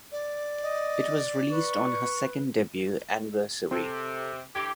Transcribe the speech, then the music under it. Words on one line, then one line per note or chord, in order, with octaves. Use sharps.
It was released on her second debut anniversary.
D5
D#5
B4 C#6
C3 C4 A4
D3 E3 G4 D6 G#6